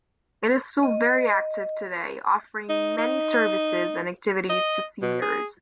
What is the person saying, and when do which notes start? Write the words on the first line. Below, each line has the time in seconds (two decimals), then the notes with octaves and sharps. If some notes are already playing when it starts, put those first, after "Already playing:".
It is still very active today, offering many services and activities to Seniors.
0.83 D#5
2.69 D#4
2.98 D#4
4.49 D#5
5.02 B2
5.22 G#4